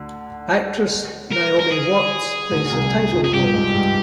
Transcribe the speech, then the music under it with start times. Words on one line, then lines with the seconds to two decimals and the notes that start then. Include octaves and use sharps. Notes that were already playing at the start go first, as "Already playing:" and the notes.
Actress Naomi Watts plays the title role.
Already playing: D2 D3
1.32 A#4
1.59 A#4
1.71 G#4
2.52 D2 D3
2.72 C2 C3
3.12 F2 F3
3.24 G#4
3.33 G2 G3 G4
3.54 G#2 G#3
3.73 G2 G3